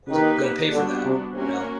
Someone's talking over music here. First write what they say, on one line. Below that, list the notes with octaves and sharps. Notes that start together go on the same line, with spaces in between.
who's gonna pay for that? You know?
D#3 A#3 D#4 G4 B4
D3 G3 B3 D4 F#4
C3
C3 A#3 C#4 F#4 A#4